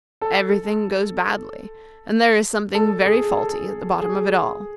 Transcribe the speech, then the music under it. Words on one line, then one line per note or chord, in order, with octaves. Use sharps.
Every thing goes badly, and there is something very faulty at the bottom of it all.
A4
A4
G#4
A4
G#4